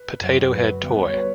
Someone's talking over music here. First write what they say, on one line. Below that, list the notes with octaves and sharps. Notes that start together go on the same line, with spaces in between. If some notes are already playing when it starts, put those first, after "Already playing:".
Potato Head toy.
Already playing: B4
F#2 C#3 F#3
F#2 C#3 F#3 B4
D3 G3 B3 F#4
C#5
D3 G3 B3 F#4 B4